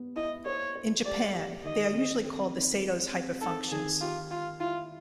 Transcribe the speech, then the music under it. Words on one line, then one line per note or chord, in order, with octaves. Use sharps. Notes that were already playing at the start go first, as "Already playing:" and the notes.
In Japan, they are usually called the Sato's hyperfunctions.
Already playing: B3
E4 D#5
C5 C#5
C5
G4 D5
G4
D#3 D#5
C4
C4
D#4
G#3
C4
D#4 A4
D#3 G#4
F4 G4
F4 G4
E4 F4